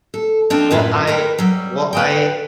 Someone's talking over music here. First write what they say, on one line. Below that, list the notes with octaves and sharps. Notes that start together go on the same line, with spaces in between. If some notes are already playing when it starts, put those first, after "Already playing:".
Well, I uh, well, I
A4
F3 C4 D4 D#4 F4
F#2 A2 F#3 F4 G#4 B4
A#4 B4 G5
F#3 G3
B4 D#5 G5